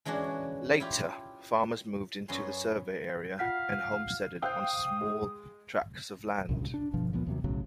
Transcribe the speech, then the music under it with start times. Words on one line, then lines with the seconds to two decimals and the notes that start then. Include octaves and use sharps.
Later, farmers moved into the survey area and homesteaded on small tracts of land.
0.05 E3 G#3 C#4 D4 F#4
0.80 E4 F4 G4
2.28 F#2 B3 C#4 C6
3.39 F4 F5 F#5 B6
4.42 C5 F5 G5 D#6 E6 F#6 G6
5.02 G#3
6.49 C2 G2 A#2 C#3
6.74 D4
6.94 G1 B2 F3
7.13 C#2 A#2 F3 B3
7.27 D#2 C3 F#3
7.44 B1 A2 C#3 F#3